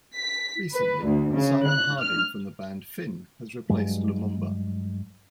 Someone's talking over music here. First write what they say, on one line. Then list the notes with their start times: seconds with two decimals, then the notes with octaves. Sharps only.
Recently, Simon Harding from the band Fin has replaced Lumumba.
0.16 B6
0.72 B4
1.03 D2
1.32 C#3
1.68 F#6
1.99 F6
3.69 G2 F#3 G#3